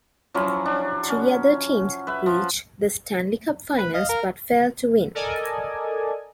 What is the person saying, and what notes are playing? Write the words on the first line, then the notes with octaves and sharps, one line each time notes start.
Three other teams reached the Stanley Cup Finals, but failed to win.
F3 F#3 C#4 E4
D4
C#4
B4 E5
F3
B4 B5
D#5 F5
A#4
A4 A#4 D5 D#5 G#5